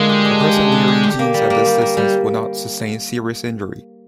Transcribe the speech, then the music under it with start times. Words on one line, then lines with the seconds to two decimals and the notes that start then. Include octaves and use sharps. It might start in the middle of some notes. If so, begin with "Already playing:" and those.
A person wearing jeans at this distance would not sustain serious injury.
Already playing: D3 G#3 A#3 F4
0.09 G4
0.25 D4
0.40 G4
0.56 D4
0.72 D3
0.88 G4
1.03 G4
1.19 A#3
1.34 G3
1.50 A#3
1.66 G3
1.81 A#3
1.97 G3